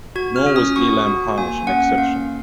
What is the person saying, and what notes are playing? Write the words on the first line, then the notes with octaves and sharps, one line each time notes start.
Nor was Elam Harnish an exception.
F#4 G#6
F6
C#4
D#6
F#4 C#6
F#4
A#3 G#5
C#4 F#5
A#3 F5